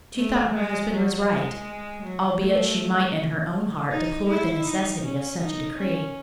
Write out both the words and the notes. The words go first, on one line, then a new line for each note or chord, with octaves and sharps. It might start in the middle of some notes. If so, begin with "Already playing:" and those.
She thought her husband was right, albeit she might in her own heart deplore the necessity of such a decree.
A3
G#3
F#3
G#3
F#3
A3
D#4
E4
D#4
C#4
D#4
C#4